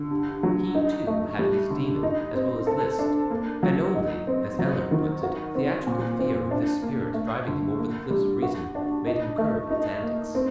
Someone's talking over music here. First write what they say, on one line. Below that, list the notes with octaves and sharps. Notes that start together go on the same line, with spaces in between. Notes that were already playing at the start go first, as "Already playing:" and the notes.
He, too, had his demon as well as Liszt, and only, as Ehlert puts it, "theoretical fear" of this spirit driving him over the cliffs of reason made him curb its antics.
Already playing: D3
G2
F#3
D#4
A3
G3
D3
D#4
C4
A4
D4
A#3
F#3
D#4
C4
F#3
D#3
F#4
C4
A#2
C4
D4
A#3
A3
D3
A#3
G3
F#4
D4
D#4
A3
D#4
A#3
C4